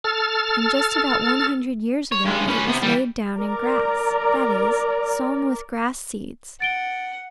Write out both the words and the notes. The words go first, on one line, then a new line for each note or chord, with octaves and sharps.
And just about one hundred years ago it was laid down in grass; that is, sown with grass seeds.
A4 F6 A6
C#5
G2 G#3
C#4 B4
C3 B3
E3 G3
A#4 D5 A#5
F#5 A6 D7 G7